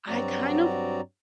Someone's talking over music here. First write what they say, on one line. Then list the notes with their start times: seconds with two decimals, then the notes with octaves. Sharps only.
I kind of
0.08 G2 F#3 C4 F#4 D5 A#5